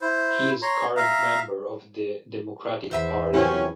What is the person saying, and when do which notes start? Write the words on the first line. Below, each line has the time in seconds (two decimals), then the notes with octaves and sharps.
He is current member of the Democratic Party.
0.01 E4 C5
0.62 C#5 A#5 C6
0.97 E5 F5 A#5
2.91 E2 C5 E5 B5
3.33 F#2 C3 F3 C4 C#4 E4